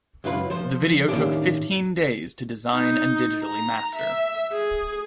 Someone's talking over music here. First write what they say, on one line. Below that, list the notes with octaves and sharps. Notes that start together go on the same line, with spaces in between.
The video took fifteen days to design and digitally master.
C#2 F#2 F4 B4
F3 C5
A2 D#3 A#3 C#4 D4 G4
D#4
A#5
E5
G#4